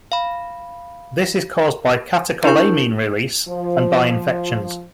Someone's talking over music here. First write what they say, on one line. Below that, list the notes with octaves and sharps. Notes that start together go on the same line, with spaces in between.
This is caused by catecholamine release and by infections.
F5 B5
D4 E4 A#4 C#6 G6
F3